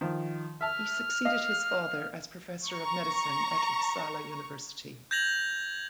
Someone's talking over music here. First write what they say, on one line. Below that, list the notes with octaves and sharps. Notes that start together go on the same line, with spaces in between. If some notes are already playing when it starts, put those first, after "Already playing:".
He succeeded his father as professor of medicine at Uppsala University.
D#3 F3
E5 A5 F6
D#5 F5
A#5 C#6
G6 G#6 A#6 F7 F#7